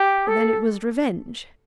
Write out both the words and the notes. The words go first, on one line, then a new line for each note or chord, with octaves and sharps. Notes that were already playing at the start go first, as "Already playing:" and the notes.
"Then it was revenge."
Already playing: G4
A4